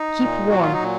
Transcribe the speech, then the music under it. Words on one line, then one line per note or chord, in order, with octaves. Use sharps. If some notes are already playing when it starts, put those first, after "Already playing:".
Keep warm.
Already playing: D#4
A#2
F#3 F#4
F4
D#4
A#2